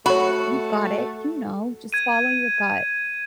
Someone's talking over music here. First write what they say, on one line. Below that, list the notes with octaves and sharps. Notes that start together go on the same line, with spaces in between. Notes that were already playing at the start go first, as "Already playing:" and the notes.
you've got it. You know. Just follow your gut.
A3 F#4 C#5 B5
G#6 D#7